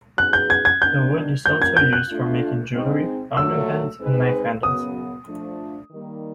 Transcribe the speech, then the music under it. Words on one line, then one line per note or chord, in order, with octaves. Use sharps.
The wood is also used for making jewelery, fountain pens and knife handles.
F#3 B3 D#4 G#4 B4 F#6
G6
G#6
G#6
D#3 G3 B3 D4 G6
G3 A#3 C#4 F4 A#4 G6
G#6
G6
F#6
A3 D4 F4
G#3 C4 D#4
A#2 F#3 A3 E6
G#3 C4 D#4 G#4 B4
F#2 C#3 F#3 B3 D#6
F3 A3 D4
D#3 G3 A#3